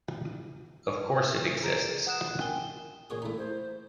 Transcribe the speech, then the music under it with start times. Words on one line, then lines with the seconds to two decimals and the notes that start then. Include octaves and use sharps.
Of course it exists!
0.96 B4
1.63 G#4 A#5 G6 A6 D7 D#7
2.07 F#5 D#6 F#6 E7
2.39 A#4 G5 G#5 G7
3.10 A#2 G#4 C#5 D#6
3.22 A3 D#4 E4
3.38 C5